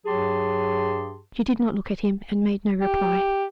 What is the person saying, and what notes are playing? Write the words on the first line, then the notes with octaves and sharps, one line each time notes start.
She did not look at him, and made no reply.
G2 F#3 G4 G#4 A5 C6
G4